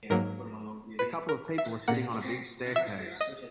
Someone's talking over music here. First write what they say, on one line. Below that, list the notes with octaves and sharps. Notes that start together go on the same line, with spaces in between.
A couple of people are sitting on a big staircase.
G#2 F#3 A#3 A#4
B4
A#4
E5
A#2 A#3 F#5
E5
D#5